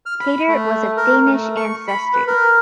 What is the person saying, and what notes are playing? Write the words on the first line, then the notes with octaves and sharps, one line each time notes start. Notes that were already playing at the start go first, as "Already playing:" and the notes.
Cater was of Danish ancestry.
F6
B5
A3
A#4
A3
C#6
B5
B4
A#4